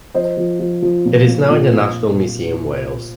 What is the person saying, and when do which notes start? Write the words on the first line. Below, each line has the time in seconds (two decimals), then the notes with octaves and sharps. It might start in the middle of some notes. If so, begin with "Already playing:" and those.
It is now in the National Museum Wales.
0.14 F3 C5 D#5
0.37 F3
0.60 F3
0.82 F3
1.05 A#2
1.27 A#2
1.50 A#2
1.72 A#2